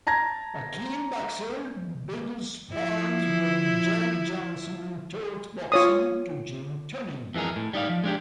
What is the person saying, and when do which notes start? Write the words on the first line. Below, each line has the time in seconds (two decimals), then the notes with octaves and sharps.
A keen boxer, Biddle sparred with Jack Johnson and taught boxing to Gene Tunney.
0.07 A5 A#5 G#6 A#6
2.71 F3 E4
5.72 F4 C#5 D#6
7.35 F2 E3 G#3 G#4 A#4
7.56 A2
7.74 G3 D#4 D5 F5
7.89 F3
8.04 G#3 D4 G4